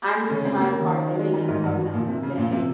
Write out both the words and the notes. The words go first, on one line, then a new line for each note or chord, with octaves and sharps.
I'm doing my part in making someone else's day
C#3 C#4
C4
A#3
D#3
G#3
G3
G#2
G2
A#2
C3
C#3
A#2
C3